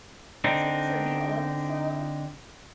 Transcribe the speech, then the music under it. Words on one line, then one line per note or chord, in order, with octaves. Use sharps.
To to be on the show?
D3 C4 D4 D#4